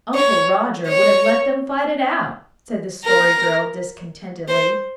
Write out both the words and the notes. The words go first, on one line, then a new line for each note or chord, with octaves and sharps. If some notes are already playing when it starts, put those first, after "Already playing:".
"Uncle Roger would have let them fight it out," said the Story Girl discontentedly.
C#5
C#5
A#4
C5